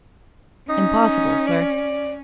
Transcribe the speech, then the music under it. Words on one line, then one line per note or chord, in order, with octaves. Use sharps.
"Impossible, sir."
C#4 D#4
D5